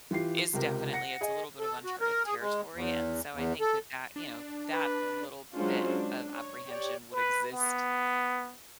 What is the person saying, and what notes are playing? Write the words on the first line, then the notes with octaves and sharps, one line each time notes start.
is definitely it's a little bit of uncharted territory, and, so, I think that that you know, that little bit of apprehension would exist,
E3 F4 G4 C7
C#2 C3 G4 A#4
F#5 A#6 C#7
G#4 D#5 G#5
A4
F#4
A#4
G#4
G#3
E2
E2
A4
D4
B4
F#3 G#3 C#4 D4 F4 C5
D4
C#5
G4 C#5 D5
B4
B3